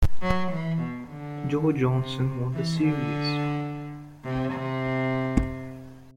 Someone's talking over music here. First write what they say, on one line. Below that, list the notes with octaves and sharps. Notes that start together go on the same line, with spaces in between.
Joe Johnson won the series.
F#3
E3
B2
D3
C3
E3
D3
C3
C3